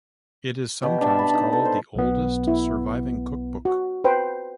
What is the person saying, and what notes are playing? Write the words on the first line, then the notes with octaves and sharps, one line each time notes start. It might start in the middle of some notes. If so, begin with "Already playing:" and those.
It is sometimes called the oldest surviving cookbook.
B2 G4
D4 E5 A5
B5
D#4
A4
C5
B1 B3
E4
F#4
B4 C5 G5